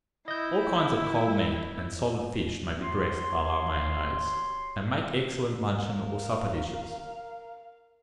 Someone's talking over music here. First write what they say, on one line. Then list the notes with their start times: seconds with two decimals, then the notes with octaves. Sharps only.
All kinds of cold meat and solid fish may be dressed a la Mayonnaise, and make excellent luncheon or supper dishes.
0.28 E4 D#5 G6
2.82 F#4 G4 C#5 C6
5.83 A#4 F5